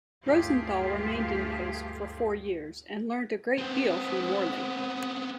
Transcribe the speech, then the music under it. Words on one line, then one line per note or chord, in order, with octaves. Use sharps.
Rosenthal remained in post for four years and learnt a great deal from Morley.
D2 G2 A3 F4 G4 G#4
B3 C4